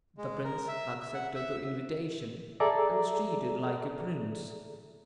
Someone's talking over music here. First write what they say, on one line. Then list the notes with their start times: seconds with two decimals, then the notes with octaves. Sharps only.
The prince accepted the invitation, and was treated like a prince.
0.18 G#3
0.44 A#4
0.68 E5
1.00 E5
1.14 F#5
1.35 E5
2.60 G#4 A4 D5 E5 A#5